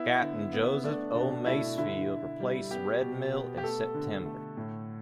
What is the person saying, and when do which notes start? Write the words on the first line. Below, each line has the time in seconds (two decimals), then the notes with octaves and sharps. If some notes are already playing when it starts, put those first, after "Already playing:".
Captain Joseph O. Masefield replaced Redmill in September.
Already playing: B3 E4
0.22 D3
0.53 B3
0.84 A3 D4
1.15 B2 D4
1.46 A3 E4
1.78 D3 E4
2.08 D3
2.40 G3
2.71 B3 G4
3.02 B2
3.32 B3
3.58 G4
3.64 A3 A4
3.94 D3
4.25 A3
4.57 A2